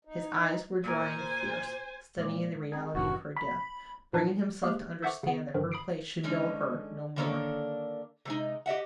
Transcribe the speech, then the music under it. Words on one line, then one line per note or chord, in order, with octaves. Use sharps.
His eyes were dry and fierce; studying the reality of her death; bringing himself to understand that her place should know her no more.
D#4
A#2 A#4 C5 G#5
A#2 G#3 C#5 D6
C4 G#4 A#5 B5
F#1 F#2 A2 C3 D4 F#4
B5
A#2 F3 D4 D#4 B4
G#3 A#3 G4 G#4 F#6
A4 C5 E5 F#5 C#6 D6
C#3 B3
G2 D3 D#3 F3
B5 D#6 C7 D7
D3 G#3 C#4 D#4
D3 D#3 A#3 D4 A4 C#5
C3 G#3 D#4
G4 D#5 E5 F#5